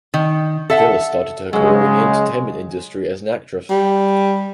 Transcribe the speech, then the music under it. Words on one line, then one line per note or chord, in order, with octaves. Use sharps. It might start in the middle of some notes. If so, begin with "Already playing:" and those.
Villa started her career in the entertainment industry as an actress.
D#3
A4 E5 F#5
C#3 F#3 G#3
G3